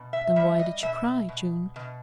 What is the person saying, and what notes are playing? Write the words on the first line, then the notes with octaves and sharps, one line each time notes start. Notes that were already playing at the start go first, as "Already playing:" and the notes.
"Then why did you cry, June?"
Already playing: B2
E5
G3 E5
D#5
B2 E5
B2
B2